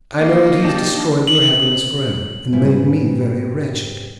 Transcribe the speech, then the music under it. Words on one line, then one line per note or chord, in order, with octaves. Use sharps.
"I know that he has destroyed your happiness for ever, and made me very wretched."
A#3 D#4
D4 G4 A5
F#7
G#2 C3 G3 B3 E4 F4